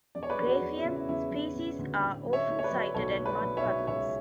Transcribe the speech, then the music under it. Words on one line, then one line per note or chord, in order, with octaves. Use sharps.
"Graphium" species are often sighted at mud puddles.
E1 D5
C#5
B4 D5
E1
F#4
E1
E4
C#3
E4
E1 E4
E1
C#3
D2
A2
F#3
C#5 E5
A3
C#5
B4 D5
F#3
B1 A4 C#5
A3
B4 D5
B1
C#5 E5
B1
C#2 C#5 E5